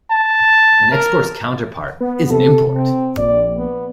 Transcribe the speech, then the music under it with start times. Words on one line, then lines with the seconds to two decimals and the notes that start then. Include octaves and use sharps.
An export's counterpart is an import.
0.11 A5
0.92 A#4
2.00 B3
2.31 C3 A4
2.76 C4
3.18 A#1 D5
3.57 B3